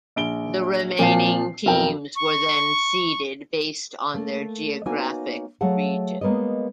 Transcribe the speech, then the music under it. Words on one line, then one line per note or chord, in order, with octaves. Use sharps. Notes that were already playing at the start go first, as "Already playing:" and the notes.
The remaining teams were then seeded based on their geographic region.
A#1 D7 G7
A#2 F3 C4 F5 A5 C7
B1 F2 A#4 G5
C#6
A3 A#3
A#3 B3 D#4 F#4 C#5 G#5
F#3 A3 G#4 F5 F#5 A5
G#3 A#3 B3 C#5 D#5